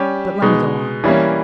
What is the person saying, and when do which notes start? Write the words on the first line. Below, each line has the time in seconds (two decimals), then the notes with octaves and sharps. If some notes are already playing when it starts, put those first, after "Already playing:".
But let me go on.
Already playing: G3 C#4 G4
0.42 B2 G#3 D#4
1.04 E3 G3 A#3 C#4